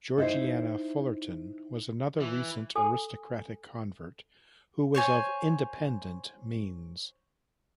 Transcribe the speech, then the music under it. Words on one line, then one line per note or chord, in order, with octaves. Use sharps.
Georgiana Fullerton was another recent aristocratic convert who was of independent means.
D#4 E4 C5
E3
A4 G#5 D#6
C5 C#5 G#5